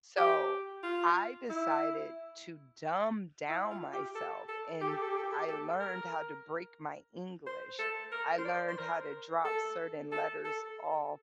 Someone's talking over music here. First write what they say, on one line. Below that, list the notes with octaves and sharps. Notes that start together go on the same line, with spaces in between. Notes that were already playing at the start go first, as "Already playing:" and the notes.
So, I decided to dumb down myself and I learned how to break my English. I learned how to drop certain letters off
G4
F4
E4
E4
F4
G4
A4
A4
G4
A4
G4
A4
G4
A4
G4
A4
G4
A4
A#4
C5
A4
A#4
C5
D5
C5
A#4
A4
A4
A4